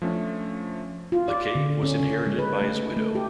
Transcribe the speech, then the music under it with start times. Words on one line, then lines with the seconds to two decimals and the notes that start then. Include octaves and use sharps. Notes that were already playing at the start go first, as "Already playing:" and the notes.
The cave was inherited by his widow.
0.02 F3 A3 C#4 D4
1.12 F4
1.28 D5
1.55 D3
1.83 C#4
2.00 C#3
2.27 G#3
2.39 B4
2.62 A3
2.97 A3
3.15 G4